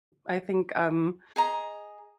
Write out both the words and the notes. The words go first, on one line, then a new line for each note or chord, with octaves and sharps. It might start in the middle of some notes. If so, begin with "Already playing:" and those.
I think, um
G#4 D#5 A#5